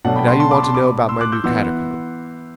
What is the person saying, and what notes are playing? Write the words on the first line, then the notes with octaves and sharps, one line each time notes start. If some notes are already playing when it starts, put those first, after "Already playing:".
And now you want to know about my new catacomb.
B2 F#3 A3 D4 F#5 A5
G5 B5
A5 C6
A5 C6
B5 D6
A5 C6
B5 D6
C6 E6
D6 F#6
E6 G6
E3 B3 E4 C6 E6